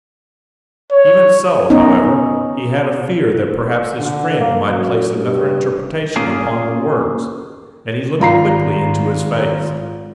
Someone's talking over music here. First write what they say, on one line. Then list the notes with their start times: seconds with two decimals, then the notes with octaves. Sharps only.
Even so, however, he had a fear that perhaps his friend might place another interpretation upon the words, and he looked quickly into his face.
0.91 C#5
1.70 B3 C#4 D#4
3.98 D3
4.38 A#3
4.68 F#2
5.16 G2
6.16 A#3 C#4 F4 G#4
8.20 G#1 F4 A#5 C7